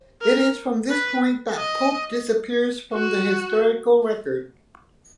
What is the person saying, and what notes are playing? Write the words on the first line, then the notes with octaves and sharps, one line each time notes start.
It is from this point that Pope disappears from the historical record.
A#4
B4
D#5
F#4